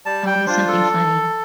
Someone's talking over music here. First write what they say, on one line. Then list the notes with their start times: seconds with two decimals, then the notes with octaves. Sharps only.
Tell me something funny.
0.06 G3 A5
0.27 G5
0.46 D4 F4 C5
0.68 A4